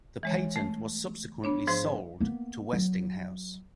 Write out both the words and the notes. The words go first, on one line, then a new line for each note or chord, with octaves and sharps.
This patent was subsequently sold to Westinghouse.
E3 G#3 C#5
A3
B3 D4 C#5
G#2 F3 C5 C6
A#3 B3
F#3